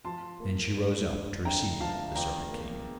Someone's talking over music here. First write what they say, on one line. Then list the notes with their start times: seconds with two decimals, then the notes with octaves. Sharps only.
Then she rose up to receive the Serpent King.
0.05 F3 A5 C6
0.40 A#3
0.75 G2
1.11 G2
1.45 D3 G5 A#5
1.80 F3 F5 A5
2.15 E2 G5 A#5
2.51 A#3